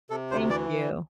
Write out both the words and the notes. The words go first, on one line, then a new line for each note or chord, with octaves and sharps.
Thank you.
C3 A4
D2 C5
E3 D5